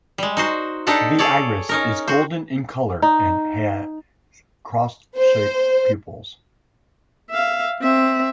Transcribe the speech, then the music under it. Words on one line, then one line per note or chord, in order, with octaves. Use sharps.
The iris is golden in colour and it has cross-shaped pupils.
G3 G#3
D#4 F#4 C5
D4 D#4 G4 A4 F#5
G#4 A4 C#5 D5
C#4 D#4 A#4
F#4 C5
D#4
C5
E5 F5
C4 E5